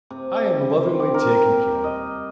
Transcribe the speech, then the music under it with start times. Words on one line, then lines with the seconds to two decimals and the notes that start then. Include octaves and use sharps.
I am lovingly taken care of.
0.10 C3
0.60 G3
0.72 C4
1.00 G4
1.14 A#4
1.84 D#5